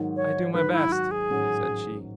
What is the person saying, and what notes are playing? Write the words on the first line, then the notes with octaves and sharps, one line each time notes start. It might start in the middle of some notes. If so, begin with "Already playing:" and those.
"I do my best," said she.
Already playing: G#2 D#3 F#3
C#5
G#2 D#3 F#3 B4
E4
F#4
G#4
A1 G#2 D#3 F#3 C#4